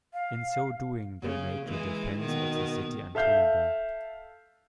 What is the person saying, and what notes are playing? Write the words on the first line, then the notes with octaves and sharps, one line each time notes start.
In so doing they made the defence of the city untenable.
F5
C#3
E3 G#3
B2 D#3
A4 E5 F5 G6